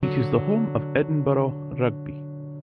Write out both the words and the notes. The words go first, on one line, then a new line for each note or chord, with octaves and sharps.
It is the home of Edinburgh Rugby.
D3 F#3